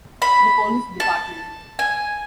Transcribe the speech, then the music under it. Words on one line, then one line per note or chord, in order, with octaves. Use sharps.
The police dept.
B5
A5
G#5